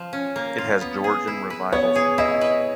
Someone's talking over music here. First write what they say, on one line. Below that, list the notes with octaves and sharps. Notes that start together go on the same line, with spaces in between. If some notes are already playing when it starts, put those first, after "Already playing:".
It has Georgian Revival features.
Already playing: F3
C#4
A#3
F4
B3
G#4
E4
B4
B3 C#5
G#4
E4 D#5
B4